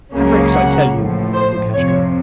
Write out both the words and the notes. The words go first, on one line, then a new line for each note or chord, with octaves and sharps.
'Abreks, I tell you!' said Lukashka.
C#2 C#3 F#3 A#3 C#4
F#5
A1 A2 F3
C5
F2 C3 F3 C#5